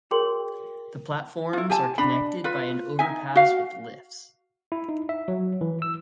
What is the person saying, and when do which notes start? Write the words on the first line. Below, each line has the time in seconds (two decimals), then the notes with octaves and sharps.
The platforms are connected by an overpass with lifts.
0.11 F#4 G#4 A#4 C#5 G5 C6
1.53 E4 F4
1.70 G4 G#5 A5
1.98 D4 B5
2.44 F4 B4
2.99 D#4 E5 G#5
3.35 F#4 F5
4.72 E4
4.89 D#4
5.09 E5
5.28 F#3
5.61 E3
5.82 E6